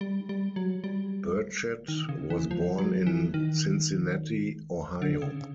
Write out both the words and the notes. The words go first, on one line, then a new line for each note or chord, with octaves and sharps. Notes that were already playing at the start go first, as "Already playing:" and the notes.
Burchett was born in Cincinnati, Ohio.
G3
G3
F#3
G3
D#3
C#3
E3
F3
F#3
E3
D#3
D3
C#3